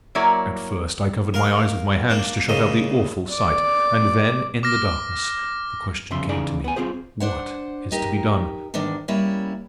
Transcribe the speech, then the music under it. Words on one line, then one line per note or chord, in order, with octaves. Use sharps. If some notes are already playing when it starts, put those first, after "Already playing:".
At first I covered my eyes with my hands to shut out the awful sight, and then, in the darkness, the question came to me: What is to be done?
F#3 A#3 E4 A#4 C#5 D5
A#4 F5
A#3 D4
A#2 C#3 D#5
D5 D6
D6 F6 A#6
C2 C#3 F3 E5 C6
C#3 E3 D#4 G#4 D5 A#5
B3 G#5
C4 C#4 F4 G#4 C5
D4 C5 F#5
D#4 G4 A#4
E2 G#2 D#3 D4
G3 A#3 C#4 E4